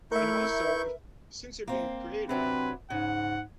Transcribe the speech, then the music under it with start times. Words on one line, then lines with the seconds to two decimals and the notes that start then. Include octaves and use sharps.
and also if since you're being creative,
0.12 A3 E4 A#4 E5 C#6 G6
0.62 B4
1.68 A#3 C4
2.29 C3 F#3 C4 D4 B4
2.90 G#2 C#3 F#5